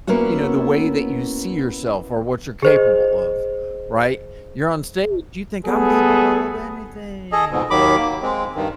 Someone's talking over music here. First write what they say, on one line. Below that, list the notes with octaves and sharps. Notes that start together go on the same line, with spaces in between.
you know, the way that you see yourself, or what you're capable of, right? You're on stage, you think, "I'm capable of anything,"
A#3 B3 C#4 E4 F#4
G#4 C5 D#5
G3 B3 G#4 A4
G#4 A4 D#5
F2 G#2 B2
D#2 D#3 F#3 B5 D6
A#3
G#3 C4
G2 D#3